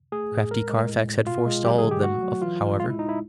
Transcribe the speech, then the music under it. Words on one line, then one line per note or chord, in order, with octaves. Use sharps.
Crafty Carfax had forestalled them, however.
A3 G#4
A2
G#3 A#4
G#3
A2
A2
B2 F4
G#3
F#3 G4
G#4
D3
G4
A3 F#4
F#3
E3 F4
A2
G#3 F4
E4
G#3 D#4
E4